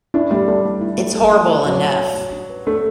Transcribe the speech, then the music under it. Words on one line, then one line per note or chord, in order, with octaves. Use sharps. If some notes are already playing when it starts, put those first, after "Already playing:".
It's horrible enough.
D4 E4
G3 A3
G3 A4
A3
E4
A3
A4
A3
E4
F#3 A3
A4
A3
F#4
D4
B4
A3 D4